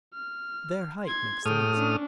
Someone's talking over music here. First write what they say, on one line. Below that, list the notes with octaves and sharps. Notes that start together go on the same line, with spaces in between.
Their height makes them easy.
F6
C6 G#6
A2 G#4 G5 D#6 F6
C#4 D4